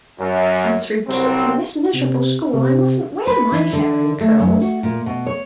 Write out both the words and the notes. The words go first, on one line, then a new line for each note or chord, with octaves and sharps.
And through keeping this miserable school I mustn't wear my hair in curls!
F#2
C2 C3 F#3 G3 C4
C3
C3
B4
E3
D3
A3
F#2
F#4
A#2
B2
C#5